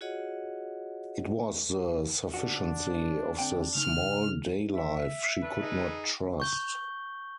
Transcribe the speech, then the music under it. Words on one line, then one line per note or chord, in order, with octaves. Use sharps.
It was the sufficiency of the small day-life she could not trust.
F4 F#4 G#4 C#5 D#5 F#5
D4 F#4
D3 C4 G5
C#3 A3 D#4 F6
E5
D4 A4 B4
D#4 G#4
C#6 G6 G7